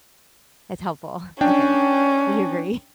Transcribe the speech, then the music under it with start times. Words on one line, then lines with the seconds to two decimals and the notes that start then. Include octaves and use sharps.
it's helpful, I think. Would you agree?
1.41 C#4 D4 G5